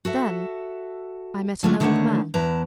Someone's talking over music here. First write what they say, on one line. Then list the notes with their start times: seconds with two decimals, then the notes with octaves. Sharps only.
Then I met an old man.
0.05 F#4 A4 E5
1.63 D3 F#3 A3 C#4 D4 F4
1.80 D3 D#3 A3 D4 C#5 F#5
2.34 E2 E4 B4 A5 A#5